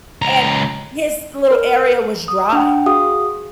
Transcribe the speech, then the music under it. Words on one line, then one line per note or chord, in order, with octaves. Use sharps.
and his little area was dry.
C#2 A#5
A#4 F6
D#6
D4 F#5 G5
F#4 G#4 F5 D#6